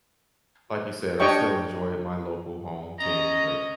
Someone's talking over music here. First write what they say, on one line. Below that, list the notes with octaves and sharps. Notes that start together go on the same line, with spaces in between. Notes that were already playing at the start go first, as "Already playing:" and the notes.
like you said, I still enjoy my local home team, but
D4 G4 C#5 D#5 G5 C#6
C#4 D#5 A#5